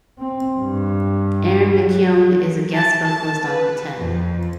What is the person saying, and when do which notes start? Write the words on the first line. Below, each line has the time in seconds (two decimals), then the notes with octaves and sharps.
Erin McKeown is a guest vocalist on Pretend.
0.19 C4
0.60 G2
1.77 F#3
2.73 A5
3.03 A5
3.46 B4
3.96 F2